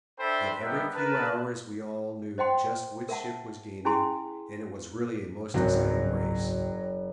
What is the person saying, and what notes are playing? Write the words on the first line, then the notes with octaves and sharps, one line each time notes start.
Yet every few hours we all knew just which ship was gaining and it was really a most exciting race.
D4 A4 C5 E5 G5 B5
G3 B3 A#4 D#5 E5 G5
A#4 B4 A5
C5 D#5 F#5 G5 C6
A#4 E5 F#5 A5
C#4 E4 G#4 G#5 C6
F#1 C#2 G#2 D3 F#3 C4